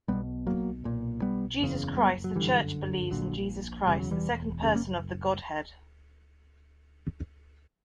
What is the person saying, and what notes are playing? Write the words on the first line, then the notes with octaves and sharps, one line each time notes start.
Jesus Christ- the church believes in Jesus Christ, the second person of the God-head.
B1 B2 G3 B3
F#3 A#3
B1 A#2
G3 B3
F#1 E2 C#3
G3 B3
F#3
G1 F#2 D3 E3 G3
A#1 A#2 D3 F#3
E1 E2 C#3 G3
F#3
E3 G3
F#1 E2 C#3
A#3 C#4